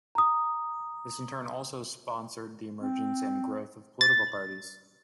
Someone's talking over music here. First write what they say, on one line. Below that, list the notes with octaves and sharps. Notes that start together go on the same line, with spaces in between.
This in turn also sponsored the emergence and growth of political parties.
A#5 D#6
C4
A6